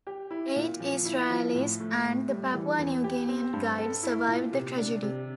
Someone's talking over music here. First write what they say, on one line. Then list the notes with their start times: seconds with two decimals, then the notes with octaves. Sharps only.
Eight Israelis and the Papua New Guinean guide survived the tragedy.
0.07 G4
0.31 E4
0.56 A#2
0.80 F3
1.05 E4
1.30 F3
1.55 A2
1.80 A3
2.04 A2
2.29 G3
2.54 E3
2.79 E2
3.04 G4
3.29 C4
3.53 G2
3.79 A4
4.03 E4
4.28 A#2
4.53 C3
4.78 D4
5.02 C3